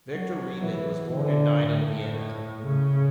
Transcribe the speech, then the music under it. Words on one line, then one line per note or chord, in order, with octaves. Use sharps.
Viktor Reimann was born and died in Vienna.
F#3
E3
D3
A2
C#3